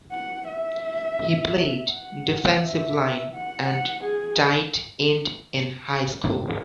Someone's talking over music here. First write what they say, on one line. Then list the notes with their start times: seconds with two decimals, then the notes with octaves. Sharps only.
He played defensive line and tight end in high school.
0.11 F#5
0.47 E5
1.91 F#5
2.61 E5
3.33 F#5
3.67 F#5
4.04 G#4